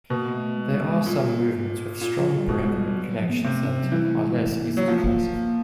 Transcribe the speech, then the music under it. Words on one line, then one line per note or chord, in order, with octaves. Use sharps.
There are some movements with strong Brethren connections that are less easy to classify.
B2 A#3
A3
G#3
G3
G#3
A#2 G3
A#2
F3
F#3
G3
B2 G#3
G3
F#3
F3
B3
A#3
C3 A3
C#4
C4
F#3
E3 G3
A3
G#3
A3
A#3
F#3
F3 A#3
A3
A#3